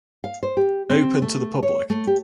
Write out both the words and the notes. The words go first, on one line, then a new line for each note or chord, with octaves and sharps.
Open to the public.
F5
C5
G4
C4
A3
C#5
A3
G4